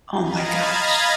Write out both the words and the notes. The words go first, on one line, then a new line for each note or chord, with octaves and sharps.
Oh my gosh.
D#5 F5 A#5 B5 G#6 A6